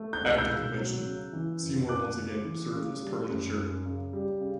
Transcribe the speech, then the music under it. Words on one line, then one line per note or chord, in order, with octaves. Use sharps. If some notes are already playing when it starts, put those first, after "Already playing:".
At the convention, Seymour once again served as permanent chairman.
Already playing: A3
G6
C#2 F#6
E6 G6
B2
F#3
C#3
E3
F#2
F#2 D6 F#6
C#3
E3
C#3
G3
F#2
F#2
C#3
G3
C#3